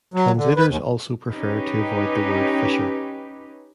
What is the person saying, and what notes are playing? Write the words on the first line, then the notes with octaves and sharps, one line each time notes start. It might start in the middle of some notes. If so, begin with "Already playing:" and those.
Translators also prefer to avoid the word fisher.
F#3
D3
B4
D#2
C#4 D#4 G4 B4